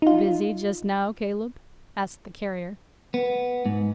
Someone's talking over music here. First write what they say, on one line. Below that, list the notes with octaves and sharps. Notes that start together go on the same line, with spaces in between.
"Busy just now, Caleb?" asked the Carrier.
D#4 F4
B3
G#2